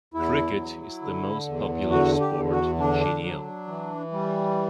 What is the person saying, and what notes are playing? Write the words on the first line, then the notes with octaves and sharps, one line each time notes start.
Cricket is the most popular sport in Chiniot.
E2 E4
F#3
D3
E2
D3 F#4
G4
E2
F#4
D3 D4
F#3
E3
G3